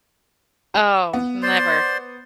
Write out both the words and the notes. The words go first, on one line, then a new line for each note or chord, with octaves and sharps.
Oh, never.
B3
C5 D5 C6